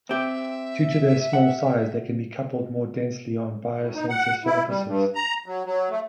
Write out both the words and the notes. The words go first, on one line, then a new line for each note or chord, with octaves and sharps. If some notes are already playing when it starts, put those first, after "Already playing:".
Due to their small size, they can be coupled more densely on biosensor surfaces.
C4 G4 E5
F#5
A2
D#4
F#5
E4
G3
G2
A#5
F#3
F#3
A3